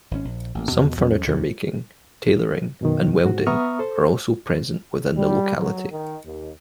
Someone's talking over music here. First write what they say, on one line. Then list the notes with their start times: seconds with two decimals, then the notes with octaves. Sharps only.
Some furniture making, tailoring and welding are also present within the locality.
0.11 G#1 C#3 C#4
0.25 A#1
0.55 A1 A#3
0.71 E2 B2
0.97 E2 F#3 G#3 C#4
1.27 B1 F2 D3 D#3
2.81 F#2 B2 D#3
3.25 G#2 F#4
3.47 B3 E5 A#5 C#6 D#6 F6
3.79 A4 C5
5.17 G3
5.56 F#3
5.90 D#3
6.25 D#2